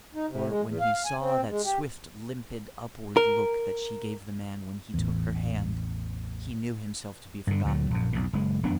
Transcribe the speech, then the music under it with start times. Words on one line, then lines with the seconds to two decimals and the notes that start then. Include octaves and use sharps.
For, when he saw that swift, limpid, upward look that she gave the man when he took her hand, he knew himself to be forgotten.
0.15 D#4
0.28 C3
0.49 G#3
0.64 E2
0.80 F5
0.93 F5
1.06 G#5
1.20 C4
1.49 G#3
1.65 G4
3.17 A#4
4.94 A1 E2
7.47 G2 D3
7.65 D2 A#2 F#3
7.90 A#1 F#2
8.13 B1 F2 A2
8.33 F#1 G#3
8.63 E1 F#2 B3 D4